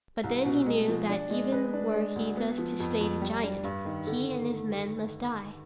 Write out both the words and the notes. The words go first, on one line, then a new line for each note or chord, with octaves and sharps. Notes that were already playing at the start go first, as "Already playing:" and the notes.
But then he knew that even were he thus to slay the giant, he and his men must die.
C2
B2
G#3
F3
D4
G#3
B4
D4
G#3
D2
B3
F3
F2
F2
G3
D4
G2
D#3
D3